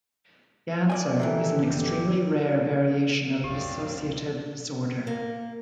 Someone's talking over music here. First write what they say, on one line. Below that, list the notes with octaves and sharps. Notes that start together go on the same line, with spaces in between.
Ganser is an extremely rare variation of dissociative disorder.
D5 D#5 G#5
A#2 D#3 E3 G4 A4 E5
G1 G4
C#2 F#2 A#2 C4 G4 D5 F5
A#3